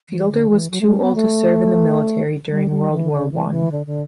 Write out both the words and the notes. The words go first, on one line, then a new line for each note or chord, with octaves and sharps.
Fielder was too old to serve in the military during World War One.
E3
D3
E3
F#3
A3
G3
B3
A3
G3
G3
E3
D3
E3
E3
D3
D3